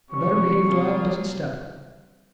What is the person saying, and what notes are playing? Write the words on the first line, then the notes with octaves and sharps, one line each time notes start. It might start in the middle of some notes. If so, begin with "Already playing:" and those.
A better-behaved lad doesn't step.
C3 G3 C#4 C#6
C3 G3 A#3 F4 G#4